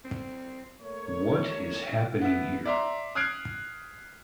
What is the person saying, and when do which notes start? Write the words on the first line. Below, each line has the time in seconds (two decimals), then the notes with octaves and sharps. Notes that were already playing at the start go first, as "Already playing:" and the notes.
What is happening here?
0.05 C4
0.81 A3 A#3 C#5
2.21 B3 E4
2.65 D5 E5 A#5 C6
3.15 D#6 F6 F#6 G#6 C7 D7